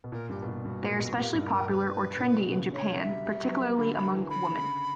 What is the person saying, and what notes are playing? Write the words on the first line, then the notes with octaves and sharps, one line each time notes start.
They are especially popular or trendy in Japan, particularly among women.
B2
A#2 A#4
G2 G4
B2
A#2 E4
G2 F#4
A#2
B2
A#2 G4
G2
A#4
G2
G2 B4
B2
A#2
B2
C#3
D3 C#5
F#3
E5
G3
G3
F#3
A#3
D3 B5
F#3 B5
E3
D3 B5
C#3